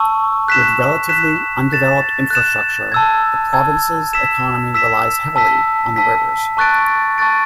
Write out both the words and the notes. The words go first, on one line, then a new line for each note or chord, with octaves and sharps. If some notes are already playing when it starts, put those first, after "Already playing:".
With relatively undeveloped infrastructure, the province's economy relies heavily on the rivers.
Already playing: A5 C#6 E6
F#6 B6 E7
F#6 B6 E7
F#6 A6 E7
F#6 A6 E7
A5 E6 G#6
A5 E6 G#6
E6 B6 E7
E6 B6 E7
A5 E6 B6
A5 E6 B6
A5 C#6 F#6 A6 D7
A5 C#6 F#6 A6 D7